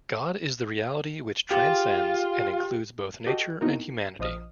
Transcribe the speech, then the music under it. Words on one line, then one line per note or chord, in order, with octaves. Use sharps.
God is the reality which transcends and includes both nature and humanity.
F4 G4 G#4
F#4 G4 A4 D#5 G5
B3 C4 D#4 E4 F#4 A#4
A#1 F3 C5 D#5 D#6 F6